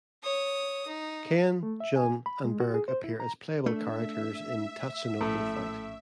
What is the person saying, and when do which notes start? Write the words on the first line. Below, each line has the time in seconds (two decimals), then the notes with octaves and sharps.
Ken, Jun and Berg appear as playable characters in "Tatsunoko Fight".
0.23 C#5 D#6
0.87 D#4
1.63 A3
1.80 E5
1.96 G#5
2.26 B5
2.45 G#3
2.60 F#4
2.74 G#4
2.88 C5
3.04 E4
3.20 A#5
3.66 A3 D4 E5
5.21 A#1 A2 C#4 C#6